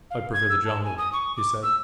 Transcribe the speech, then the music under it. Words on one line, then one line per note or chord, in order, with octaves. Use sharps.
"I prefer the jungle," he said.
F5
G#6
E6
A5
G#5
D#6
C#6
D6
E6